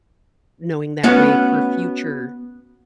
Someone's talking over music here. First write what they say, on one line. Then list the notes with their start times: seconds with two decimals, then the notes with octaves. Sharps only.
knowing that way for future
1.03 B3 C#4 F#4